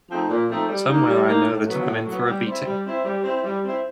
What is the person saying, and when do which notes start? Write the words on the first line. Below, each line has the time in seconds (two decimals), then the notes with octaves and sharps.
Somewhere I know that I'm in for a beating.
0.09 F3 A3 C4 D#4
0.29 A#2
0.48 F3 A3 C4 D#4
0.68 G3
0.88 A#3 D#4
1.07 G3
1.27 A#3 D#4
1.47 A2
1.66 F#3 B3
1.86 A2
2.06 F#3 B3
2.25 G3
2.45 C4
2.50 E4
2.65 G3
2.85 C4 E4
3.04 G3
3.23 C4 E4
3.44 G3
3.64 C4 E4